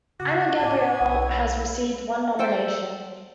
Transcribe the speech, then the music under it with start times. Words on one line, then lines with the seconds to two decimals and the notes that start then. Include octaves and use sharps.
Ana Gabriel has received one nomination.
0.19 C#3 F#4 D6
0.59 A2 D4 C#5 G#5
1.00 B1 E4
2.39 A4 C5 G5